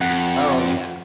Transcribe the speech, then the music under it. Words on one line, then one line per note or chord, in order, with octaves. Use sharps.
Oh, yeah.
F2 F#5